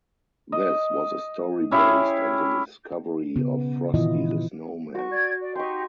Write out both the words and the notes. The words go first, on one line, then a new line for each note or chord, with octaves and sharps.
This was a story based on the discovery of Frosty the Snowman.
D#5
C#4 E4 G4 G#4
C#3 B3
A#2 D#3 E3 E4 F4 D#5
F#4 C#6
D5 G#6
D5
D#4 G4 C6 C#6